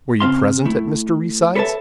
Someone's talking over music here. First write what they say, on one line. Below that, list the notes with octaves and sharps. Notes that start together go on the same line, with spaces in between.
"Were you present at Mr. Reeside's?"
C#3 C4 F5 C6
A3 E4
A4 B4 C#5 D5 E5 A5